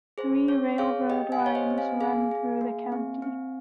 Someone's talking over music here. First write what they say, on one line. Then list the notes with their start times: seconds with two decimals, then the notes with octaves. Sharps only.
Three railroad lines run through the county.
0.18 G#4 C5
0.48 C#4 C#5
0.78 G#4 C#5 F5
1.09 G4 D#5 G5
1.32 F5 G#5
1.40 G4
1.46 C#5
1.55 C5 D#5
1.70 C4
1.78 F5 G#5
2.00 G#4 F5 G#5
2.31 G#4
2.61 A#3
2.92 C4
3.22 C4